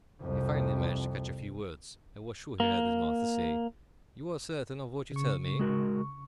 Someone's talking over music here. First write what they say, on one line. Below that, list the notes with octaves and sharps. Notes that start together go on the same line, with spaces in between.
He finally managed to catch a few words, and was sure he heard his master say, "You are certain of what you tell me?"
C2 F2
A#3
C#3 C#6
G#3 F#4 A#4